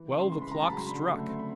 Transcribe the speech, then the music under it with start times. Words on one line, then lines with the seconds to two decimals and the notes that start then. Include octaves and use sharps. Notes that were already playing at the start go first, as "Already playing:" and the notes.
Twelve o'clock struck!
Already playing: E3
0.12 C#3 C6
0.31 G#3 C6
0.42 B5
0.51 C#3 A#5
0.61 A5
0.70 F#3 B5
0.77 C6
0.86 D3 B5
1.08 A3
1.28 C4
1.39 B5